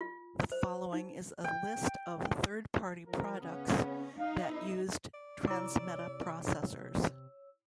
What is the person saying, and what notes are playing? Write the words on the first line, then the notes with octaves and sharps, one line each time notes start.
The following is a list of third-party products that used Transmeta processors.
F4
C5
D#4
G5
F3 A#4
C#3 B3 C#4
D#4 F5
B1 E4
D5
C3 E4 C#5 D6 E6